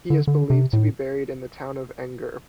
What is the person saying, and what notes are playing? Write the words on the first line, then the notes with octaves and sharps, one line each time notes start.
He is believed to be buried in the town of Enger.
D3
D3
C3
A2